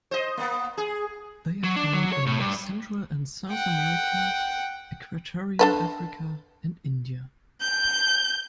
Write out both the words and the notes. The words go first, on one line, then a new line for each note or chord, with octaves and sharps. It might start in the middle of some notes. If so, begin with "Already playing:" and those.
They are found in Central and South America, equatorial Africa and India.
C5 D#5
A#3 B3
G#4
F#3
D4
F#3
C#5
A2
G2
F#5 G5
D4 A4 B4
G6